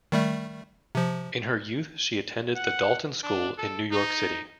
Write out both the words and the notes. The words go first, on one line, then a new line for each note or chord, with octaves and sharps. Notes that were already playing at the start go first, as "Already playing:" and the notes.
In her youth she attended the Dalton School in New York City.
D#3 G3 A3
C3 F3
F#5
D4
A4
D#4